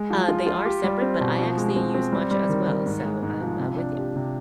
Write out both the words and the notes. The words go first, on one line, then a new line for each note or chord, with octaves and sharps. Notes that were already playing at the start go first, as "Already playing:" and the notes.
Uh, they are separate, but I actually use matcha, as well, so I'm I'm with ya.
Already playing: G#3
F3
F4
F4
G4
G3
C4
B2
F3
G#3
C4
C4
G3
G3
D#3
D#3
G#2
G#3
G#2
F3
C3
D4
G4
C3